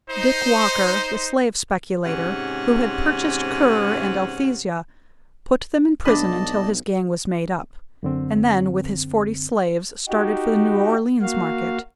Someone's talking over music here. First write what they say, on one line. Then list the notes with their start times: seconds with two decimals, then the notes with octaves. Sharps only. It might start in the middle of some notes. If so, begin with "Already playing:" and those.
DICK WALKER, the slave speculator, who had purchased Currer and Althesa, put them in prison until his gang was made up, and then, with his forty slaves, started for the New Orleans market.
0.11 D#4 C5
2.05 G#2 C3 C#4 F#5
6.05 B1 D4 B4 D5 D#5 A5
8.03 F#2 D3 C4
10.09 D#4 F#4 G4
11.22 A#3 F#4 F5